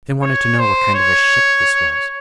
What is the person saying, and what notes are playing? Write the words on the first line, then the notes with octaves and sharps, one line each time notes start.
They wanted to know what kind of a ship this was.
C#5
C5
C#5